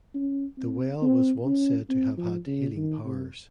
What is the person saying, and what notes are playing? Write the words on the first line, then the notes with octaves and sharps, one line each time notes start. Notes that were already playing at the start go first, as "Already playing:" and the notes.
The well was once said to have had healing powers.
C#4
C4
C4
C#4
C4
F3
C#3
D#3
C3